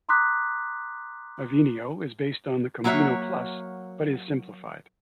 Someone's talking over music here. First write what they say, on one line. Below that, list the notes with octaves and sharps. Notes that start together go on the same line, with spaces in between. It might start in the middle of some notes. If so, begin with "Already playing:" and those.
Avenio is based on the Combino Plus but is simplified.
A#5 C6 D6 D#6 F#6 B6
F#3 A#3 F#4 C#5 E5